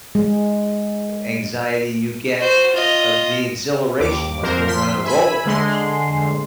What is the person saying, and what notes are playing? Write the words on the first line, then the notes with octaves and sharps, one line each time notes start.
anxiety you get, w uh, the exhilaration, like when you're on a roller coaster, you know.
G#3
F#4 C5
F4 D#5
D#2 D6
F2 A#4 C5
F3 C6 B6
E5 G#5 B5
D3 G#3 C6